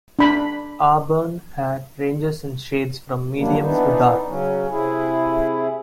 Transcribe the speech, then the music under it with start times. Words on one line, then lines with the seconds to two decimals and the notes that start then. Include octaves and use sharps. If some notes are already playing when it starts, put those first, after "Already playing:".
Auburn hair ranges in shades from medium to dark.
0.19 D4 B5
3.36 F2 D#3 F#3 G3 A#3 D4
3.60 E3 B3 D4 D#4
4.27 C#3 F#3 C#4
4.70 C3 E4 G#4